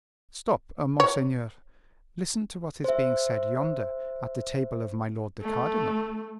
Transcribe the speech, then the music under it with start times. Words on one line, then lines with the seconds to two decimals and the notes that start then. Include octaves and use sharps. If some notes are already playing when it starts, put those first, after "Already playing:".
"Stop, monseigneur, listen to what is being said yonder, at the table of my lord the cardinal."
1.00 C#5
2.84 C5 E5
5.42 A3